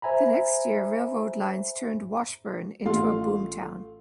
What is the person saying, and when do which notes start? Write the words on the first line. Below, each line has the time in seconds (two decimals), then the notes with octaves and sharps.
The next year, railroad lines turned Washburn into a boom town.
0.02 C5 E5 G#5 A#5 B5
2.85 A1 A3 F4 F5 C6